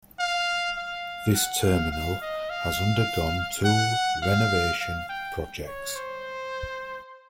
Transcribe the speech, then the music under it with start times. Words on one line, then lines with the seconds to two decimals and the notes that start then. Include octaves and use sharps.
This terminal has undergone two renovation projects.
0.19 F5
0.77 F5
1.34 F#5
1.63 F5
1.92 F5
2.21 D#5
2.50 F5
3.65 F#5
4.23 F5
4.81 F5
5.09 G5
5.67 C#5
5.96 C5